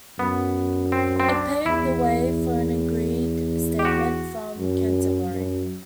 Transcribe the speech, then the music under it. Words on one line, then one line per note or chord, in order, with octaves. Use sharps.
It paved the way for an agreed statement from Canterbury.
F#2 B3
C4
C4
D4
E2 E4
G4
F#4
F#2
F#2